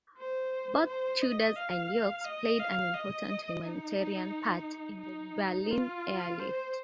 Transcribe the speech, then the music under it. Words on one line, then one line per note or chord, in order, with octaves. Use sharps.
Both Tudors and Yorks played an important humanitarian part in the Berlin Airlift.
C5
C5
D#5
F5
D#5
F5
D#5
D#4
D#4
F4
C5